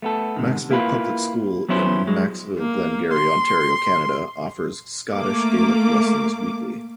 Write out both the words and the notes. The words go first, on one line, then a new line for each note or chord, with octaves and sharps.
Maxville Public School in Maxville, Glengarry, Ontario, Canada offers Scottish Gaelic lessons weekly.
A3 B3 A4
G#2 C3 D#3
A#3 E4 F4 A4 B4
F#3 B3 C#4 E4 C5
F#3 G#3
A#3
C6
A3 A#3 D6